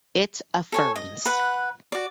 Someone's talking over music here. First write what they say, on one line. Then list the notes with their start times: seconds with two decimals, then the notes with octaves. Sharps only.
It affirms.
0.72 A4 C#5 G#5
0.96 D#5
1.26 B4 F#5
1.92 F#4 D5